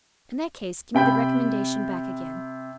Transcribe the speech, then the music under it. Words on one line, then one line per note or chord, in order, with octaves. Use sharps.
"In that case give me the recommendation back again."
C3 G5 B5 G6